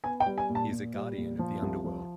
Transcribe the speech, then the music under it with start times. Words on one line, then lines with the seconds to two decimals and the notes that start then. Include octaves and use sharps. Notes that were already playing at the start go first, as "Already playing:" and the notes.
He is a guardian of the underworld.
0.04 B3 G#5
0.20 G5
0.26 G3
0.38 G#5
0.50 A#2
0.55 A5
0.71 A#2
0.94 G3
1.17 A#2
1.39 F3
1.62 C2
1.85 F3